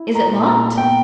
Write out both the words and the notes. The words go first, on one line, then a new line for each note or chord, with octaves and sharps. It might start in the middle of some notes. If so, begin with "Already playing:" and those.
"Is it locked?"
Already playing: E4
A#5
A#2
A#5
B3 G5